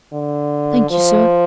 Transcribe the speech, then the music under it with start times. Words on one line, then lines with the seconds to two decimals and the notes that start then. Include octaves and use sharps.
"Thank you, sir."
0.13 D3
0.91 F3